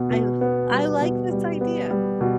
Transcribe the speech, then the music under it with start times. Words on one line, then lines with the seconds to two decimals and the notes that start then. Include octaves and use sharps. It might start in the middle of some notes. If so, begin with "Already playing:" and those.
I I like this idea.
Already playing: B2 B3
0.11 B2
0.41 B3
0.71 G3
1.01 B2
1.31 G3
1.61 B3
1.91 G3
2.21 B2